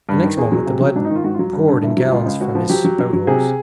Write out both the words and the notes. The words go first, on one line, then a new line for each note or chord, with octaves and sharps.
The next moment the blood poured in gallons from his spout-holes.
G2
D#3
E2 G#4
F#3
C3
F#3
G#2 D4
D#4
D#3
F4
G#2 F#4
F4
F#3
G2
D3
G2 E4
F#3
E4
C#2 F4
C#2
C#2 F#4
F3
F#3 G4
F#3
F#3
F#3
C3 G#4